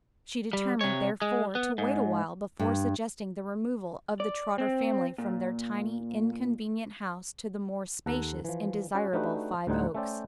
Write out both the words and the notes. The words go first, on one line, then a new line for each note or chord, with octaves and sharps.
She determined, therefore, to wait awhile before suggesting the removal of the Trotter family from their tiny, inconvenient house to the more spacious and desirable Five Oaks.
G3
C3 C#5
G#3
B3
G#2
G2
D5
C4
A#2
D#2 A4 F#5 A#5
E3 F3
C#4 F#4
A3 D4 D#4 F#4 G4 B4
D2 A2 G3 D#4 C5 F#5
A3 C#4 A4 C5 D5 G5